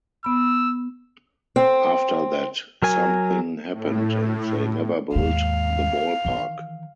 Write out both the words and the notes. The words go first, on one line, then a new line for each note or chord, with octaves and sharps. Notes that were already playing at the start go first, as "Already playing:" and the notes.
After that, something happened, and they never built the ballpark.
B3 B5 E6
C4
F#3 A#4 G#5
A2
D#2 G#2 F5
D#3 E3